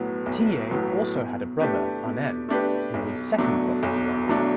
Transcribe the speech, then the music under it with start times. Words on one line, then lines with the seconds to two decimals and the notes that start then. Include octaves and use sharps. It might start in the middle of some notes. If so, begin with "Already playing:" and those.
Tiye also had a brother, Anen, who was Second Prophet of Amun.
Already playing: B1 A2 F#3 B3
0.26 B1
0.71 A2 F#3 B3
1.15 B2
1.60 A3 D4 G4 B4
2.05 B2
2.49 A3 D4 G4 B4
2.94 B1
3.38 B2 F#3 A3 D4
3.83 B1
4.28 B2 F#3 A3 D4